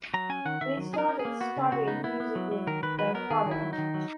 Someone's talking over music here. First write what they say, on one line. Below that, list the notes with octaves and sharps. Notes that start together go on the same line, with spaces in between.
They started studying music with their father.
F#3 A#5
C#4 G#5
D#3 F#5
D#3 E5
F#3
C#4 G#4
A#4
C#4
G#4
A#3
B3 F#4
C#3
C#3 F#4
B3 D#4
B3 E4
B3
F#3
F#3
D#3 A#4
D#3 B4
F#3 B4
B3 A#4
D#3 G#4
D#3
E4
F#3
D#4
D#3
F#3